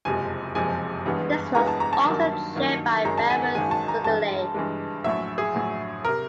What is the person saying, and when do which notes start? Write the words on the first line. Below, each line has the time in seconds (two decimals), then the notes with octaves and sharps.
This was also chaired by Baron Sudeley.
0.05 F#1 F2 C3 F3 G#3 G#5
0.55 F#1 F2 C3 F3 G#3 G#5
1.05 A1 G2 E3 G#3 B3
1.55 A1 G2 E3 G#3 B3 A#5
1.67 A5
1.80 A#5
1.93 A5
2.05 G2 D#3 F#3 A#3
2.55 G2 D#3 F#3 A#3
3.05 G#1 F#2 D#3 G#3 A#5
3.18 A5
3.30 G#5
3.42 F#5
3.55 G#1 F#2 D#3 G#3 G#5
3.71 A5
3.88 A#5
4.04 G2 E3 G#3 A5
4.54 G2 E3 G#3
5.04 A#1 A2 F#3 E5
5.38 G#4
5.54 A#1 A2 F#3
6.05 C3 A#4